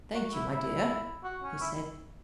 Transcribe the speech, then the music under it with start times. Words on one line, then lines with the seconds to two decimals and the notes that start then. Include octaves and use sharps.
"Thank you, my dear," he said.
0.15 F#4
0.33 E4
0.51 E4
1.24 F#4
1.43 C#4
1.61 E4